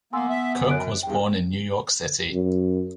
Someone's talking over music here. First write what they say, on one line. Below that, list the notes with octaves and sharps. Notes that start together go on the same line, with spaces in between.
Cook was born in New York City.
A#3 B3 G#5 C6 E6
E5
F#2
C#5 F#6 D7
E2 G2 G5
F#2